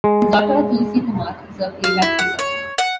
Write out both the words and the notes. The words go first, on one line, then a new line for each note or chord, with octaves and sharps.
His daughter Tulsi Kumar is a playback singer.
G#3
F5
E4
F#5
C#5
F#5